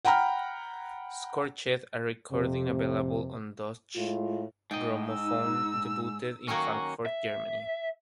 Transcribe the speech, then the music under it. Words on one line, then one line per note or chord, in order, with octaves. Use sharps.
"Scorched", a recording available on Deutsche Grammophon, debuted in Frankfurt, Germany.
F#5 G5 A#5 B5 F6
F2 C3
A2 G#3 F4
G#2 D#4 D#5 G5
E6
D#3 F#3 A#3 C#4 F#4
E5